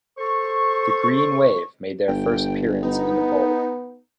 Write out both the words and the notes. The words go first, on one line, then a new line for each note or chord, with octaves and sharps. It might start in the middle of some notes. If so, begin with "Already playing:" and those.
The Green Wave made their first appearance in the bowl.
A4 C5 C#6
G1 G5
B3 D#4